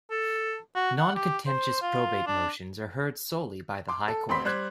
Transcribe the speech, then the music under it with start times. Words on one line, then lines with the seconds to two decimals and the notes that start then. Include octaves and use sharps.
Non-contentious Probate motions are heard solely by the High Court.
0.11 A4
0.76 F#4
0.98 F#5
1.15 G4
1.47 C5
1.82 F4
2.27 D4
3.88 C6 D6
4.08 A4
4.29 A1 C4 B5 C6 B6
4.45 G3 C5 F#6 G#6